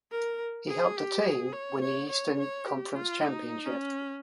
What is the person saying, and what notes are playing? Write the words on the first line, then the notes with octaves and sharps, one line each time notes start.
He helped the team win the Eastern Conference championship.
A#4
G#4
G4
G#4
C#5
C#5
C#5
C#5
G4
F4
D#4
C#4